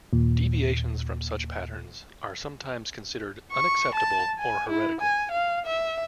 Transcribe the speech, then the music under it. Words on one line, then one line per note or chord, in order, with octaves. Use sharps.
Deviations from such patterns are sometimes considered unacceptable or heretical.
D#2 A#2
C#6
A5
G#5
E4
G#5
F5
E5